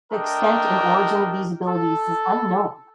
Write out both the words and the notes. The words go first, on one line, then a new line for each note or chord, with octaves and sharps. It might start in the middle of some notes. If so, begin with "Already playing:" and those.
The extent and origin of these abilities is unknown.
A3 D4 A#4 D#5 G5
A4